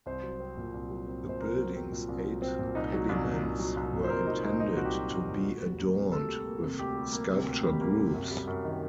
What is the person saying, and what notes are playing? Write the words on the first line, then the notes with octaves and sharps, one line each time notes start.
The building's eight pediments were intended to be adorned with sculpture groups.
C2 C5
F#3
C4
A#2
C2
F#3
C4
A#2
C5
C2 A#4
F#3
C4
A#2
C2
F#3
C4
A#2
C2 D#4
F#3
C2
A#2
C2
F#3
C2
A#2
C5
C2 A#4
F#3 D#4
C2 D#4
A#2 D#4
C2 F#4
G4
F#3 F#4
C2
A#2
D2
G3
A#3
C3
D2 A4
G3
A#3
C3
D2 G4
G3
A#3
C3
D2
G3
A#3
C3
F#2
G3
F#2
D#3